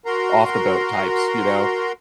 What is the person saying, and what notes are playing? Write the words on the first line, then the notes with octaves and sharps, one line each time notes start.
off the boat types, you know?
F#4 A#4 A#5 C6